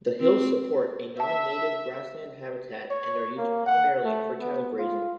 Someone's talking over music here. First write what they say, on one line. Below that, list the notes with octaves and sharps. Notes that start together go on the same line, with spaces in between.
The hills support a non-native grassland habitat, and are used primarily for cattle grazing.
C4
E5 A5
C#5
A#3
F#5
A3
B3
F4